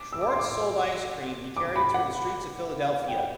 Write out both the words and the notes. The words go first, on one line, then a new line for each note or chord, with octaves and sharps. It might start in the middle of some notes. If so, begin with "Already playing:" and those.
Schwarz sold ice cream he carried through the streets of Philadelphia.
Already playing: D6
E6
D6
C6
D6
D6
B5
F#5
G5
F#5